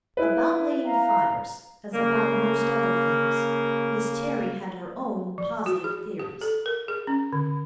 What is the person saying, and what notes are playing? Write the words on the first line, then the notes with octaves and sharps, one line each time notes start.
About laying fires, as about most other things, Miss Terry had her own positive theories.
E4 B4
F5 A#5
C#3 A#3
F3
F#4
G#4
G4
A4
A#4
G#4
C#4
D3